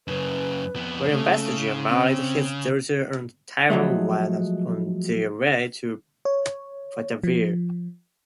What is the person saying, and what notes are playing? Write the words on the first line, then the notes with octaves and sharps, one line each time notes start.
Willem Verstegen married his daughter on Taiwan while on their way to Batavia.
F#2 C#3 B4
F2 B3
C#3 A3
C4
F3 F#3 G#3 A3
C#5
F3